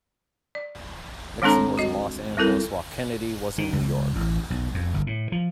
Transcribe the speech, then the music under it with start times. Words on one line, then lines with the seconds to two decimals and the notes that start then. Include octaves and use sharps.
Nixon was in Los Angeles while Kennedy was in New York.
0.55 D5
1.42 D#3 G#3 C4 D4 A4 A#5
1.78 F#4 D#5
2.37 G3 C4 E4 A4 A#4
3.58 D#3
3.73 C#2
4.16 A1
4.50 B1
4.74 F2
4.94 G1
5.07 A2
5.32 F3